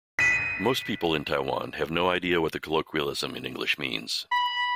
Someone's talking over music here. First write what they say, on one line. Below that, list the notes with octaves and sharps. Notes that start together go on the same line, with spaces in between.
Most people in Taiwan have no idea what the colloquialism in English means.
B6 D#7
B5